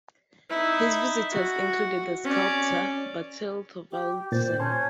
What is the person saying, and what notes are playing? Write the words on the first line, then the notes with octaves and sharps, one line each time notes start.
His visitors included the sculptor Bertel Thorvaldsen.
D#4 E4
F#4
C#4 D5
G4
A#2 C5 A6
C#4 C#5 A5 C6